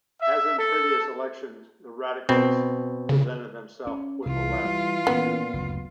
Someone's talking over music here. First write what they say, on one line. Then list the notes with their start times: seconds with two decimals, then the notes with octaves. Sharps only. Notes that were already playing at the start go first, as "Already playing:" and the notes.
As in previous elections, the radicals presented themselves with the left.
0.20 E5
0.55 A4
2.29 B2 C4
3.09 C#3
3.87 C#4
4.26 C2 C3 E3 F4
4.65 G3
5.07 A#2 E3 B3 C#4
5.54 F#1 D2